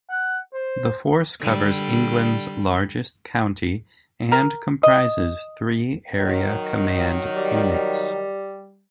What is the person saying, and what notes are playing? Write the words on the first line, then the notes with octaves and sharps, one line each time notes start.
The force covers England's largest county and comprises three area command units.
F#5
C5
D3 G3
A#4
D#5
D#3 F#3
G3